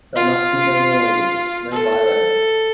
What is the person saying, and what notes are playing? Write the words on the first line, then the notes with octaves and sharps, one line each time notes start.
There must be no noise, no violence.
F4
A4